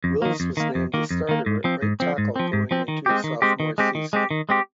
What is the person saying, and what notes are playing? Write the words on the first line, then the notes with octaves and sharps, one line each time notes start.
Wills was named the starter at right tackle going into his sophomore season.
F2
D#3 A#3
F2
D#3 A#3
F2
D#3 A#3
F2
D#3 A#3
G#2
F3 C4
G#2
F3 C4
G#2
F3 C4
G#2
F3 C4
D#3
G#3 C4 G4
D#3
G#3 C4 G4
D#3
G#3 C4 G4
D#3
G#3 C4 G4
D#3
G#3 C4 G4